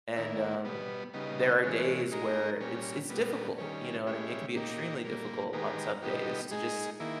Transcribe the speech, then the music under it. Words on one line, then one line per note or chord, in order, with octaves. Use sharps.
and, um, there are days where it's it's difficult, you know what I mean? It can be extremely difficult on some days to just,
D#3 A#3 E4
B2 G3 B3
C#3 G3 B3 D#4
E3 G#3 C#4
G#3 D#4 A#4
A#2 G3 C#4
A#2 G3 B3
D#3 G3 C#4
G#3 C#4 E4 G4
A#2 A#3 D#4 G4
A#2 G3 A#3
D#3 G#3 B3 G4 A#4
B2 G3 B3 D#4 G4
G#3 D#4 G#4
D#3 A#3 E4